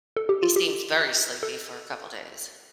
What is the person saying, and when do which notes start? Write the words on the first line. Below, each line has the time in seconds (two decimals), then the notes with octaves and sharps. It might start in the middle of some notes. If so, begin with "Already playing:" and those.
he seems very sleepy for a couple of days.
0.17 A4
0.29 G4
0.43 F4
0.56 G4
1.43 A4